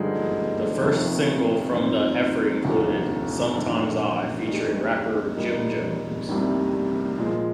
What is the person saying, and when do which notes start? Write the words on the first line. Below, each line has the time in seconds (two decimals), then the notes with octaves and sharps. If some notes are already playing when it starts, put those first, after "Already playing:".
The first single from the effort included "Sumtimes I" featuring rapper Jim Jones.
Already playing: G2 D3 F3 G#3 D#4
0.81 F1 F2 D#3
1.72 G#2 F3 C4
2.63 F1 D#2 D3 F3
3.54 A#1 G#2 D#3
4.45 D#3 G#3 D4 G4
5.36 A#2 G3 A#3 D#4
6.27 C2 C3 D#3 G3 A#3
7.18 A#2 F3 G#3